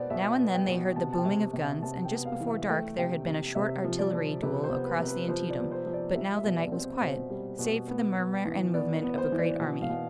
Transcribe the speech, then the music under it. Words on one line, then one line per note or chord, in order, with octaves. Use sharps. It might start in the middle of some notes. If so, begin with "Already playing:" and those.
Now and then they heard the booming of guns, and just before dark there had been a short artillery duel across the Antietam, but now the night was quiet, save for the murmur and movement of a great army.
Already playing: B2 B3 C5 D5
B2 E5
B3
G5
B2
C3 A5
A5
G5
C3
C3
E5
C3 A5
G5
B3
F5
E3
E5
A3 G5
C3 G5
C3
C3 E5
F3
D5
F3
C3 B4
C5
B3
B4
C3
B4
F3 C5
D5
B3
C5
F3
D5
G3 E5
E5
B2
D5
C4
C5
B2 C5
G3
B2
B3
B3
E3
B3 D5
B3
C5
E3
D5
B2
F5
B2